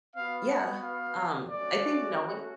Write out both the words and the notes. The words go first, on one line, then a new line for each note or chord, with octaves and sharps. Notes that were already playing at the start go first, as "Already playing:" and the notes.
yeah, um, I think knowing
B3 F#4 F5
F#5
F5
A3 C#4 F#4 D5